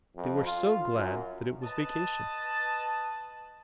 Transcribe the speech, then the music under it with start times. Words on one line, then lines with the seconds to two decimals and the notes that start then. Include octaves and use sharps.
They were so glad that it was vacation!
0.16 F2
0.45 F4
0.94 F#2
1.63 B4 D#5 A5